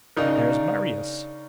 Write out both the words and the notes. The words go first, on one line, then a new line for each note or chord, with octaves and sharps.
"There's Marius."
C#3 D4 D#4 A#4